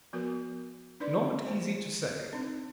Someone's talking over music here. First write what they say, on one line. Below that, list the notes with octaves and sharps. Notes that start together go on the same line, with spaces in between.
Not easy to say.
F3 B3 F#4 A#4 B4
D4 D#4 B4 D5 C6
A#3 C5
C4 D4 D#4